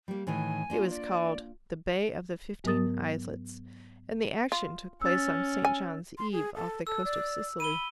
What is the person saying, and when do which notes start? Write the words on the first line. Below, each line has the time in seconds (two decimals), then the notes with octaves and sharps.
It was called "The Bay of the Fifteen Islets," and the action took place on St. John's Eve off the coast of Sicily.
0.08 G3 A#3
0.27 A2 D#3 E3 G#5
0.70 A#3 D4 F4
0.90 D5
2.64 G#2 F#3 B3 A#4 D#6 A6
4.52 F4
5.02 C#4 E6 A6
5.65 G#5
6.18 C6
6.32 G#4
6.55 A4
6.87 A4 E6
7.05 D5
7.60 B5 D#7 G7